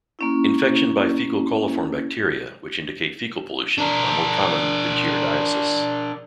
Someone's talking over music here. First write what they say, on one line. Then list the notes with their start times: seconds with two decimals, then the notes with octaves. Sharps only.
Infection by fecal coliform bacteria, which indicate fecal pollution, are more common than giardiasis.
0.19 A#3 C#4 E4
3.78 D4 A#4